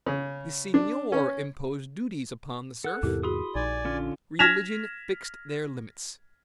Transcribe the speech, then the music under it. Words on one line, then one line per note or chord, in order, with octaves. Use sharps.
The seignior imposed duties upon the serf; religion fixed their limits.
C#3
D4
C#4
A4 F#5 F#6
E2 G#2 C3 E4 G4 A#4
F#4 G#4 B5 C6 D#6
A#1 D#4 D5 G#5
D3 C#4 F4
F6 G#6 A#6 B6 E7 F7